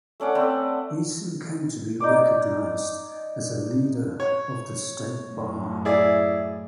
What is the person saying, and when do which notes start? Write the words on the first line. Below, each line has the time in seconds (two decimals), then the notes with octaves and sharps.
He soon came to be recognized as a leader of the state bar.
0.20 A3 C#4 D5 F#5
0.35 A3 C4 B4 D5
2.00 D#4 D5 D6
4.20 C#5
5.27 F#2 A2
5.85 E4 G#4 D5